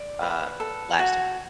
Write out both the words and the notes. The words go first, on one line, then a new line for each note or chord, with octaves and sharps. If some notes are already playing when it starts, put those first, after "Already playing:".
um, lasting?
Already playing: D5
B4
A4
F#4